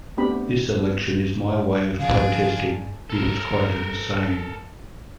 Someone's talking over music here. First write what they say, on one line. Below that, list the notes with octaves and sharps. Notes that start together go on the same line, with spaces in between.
"This election is my way of protesting," he was quoted as saying.
A3 B3 C4 D4 G4 B5
C#3 F3 D4 G#4 F5
A4 A#4